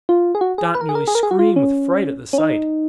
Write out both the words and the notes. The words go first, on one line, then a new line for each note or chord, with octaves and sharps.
Dot nearly screamed with fright at the sight.
F4
G#4
F#4
G#4
B4
A#4
G#4
A#4
G#4
A#4
G#4
F#4
F4
C#4
C#4
D#4